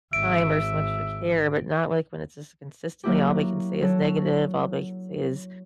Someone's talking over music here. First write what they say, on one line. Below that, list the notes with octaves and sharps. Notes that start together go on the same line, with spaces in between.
time or some extra care, but not, like, when it's just consistently all they can say is negative, all they can say is
G#1 E5 D7
F#3 A#3 E4 G4
F#3 A4 C#5